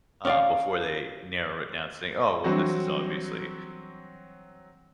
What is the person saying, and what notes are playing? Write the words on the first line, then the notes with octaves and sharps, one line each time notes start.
uh, before they narrow it down, saying, "Oh well, this is obviously,
C#4 D5 F5
E3 F#3 G3 C4 D4 F#4